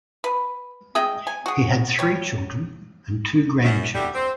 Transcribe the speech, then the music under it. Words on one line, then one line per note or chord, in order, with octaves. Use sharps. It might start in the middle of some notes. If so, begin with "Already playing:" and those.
He had three children and two grandchildren.
B4
G#4 D#5 E5 G5
G#5
F#4 G#4
G3 C#5
F#2
D3 G3 F#4 G4 E5
C4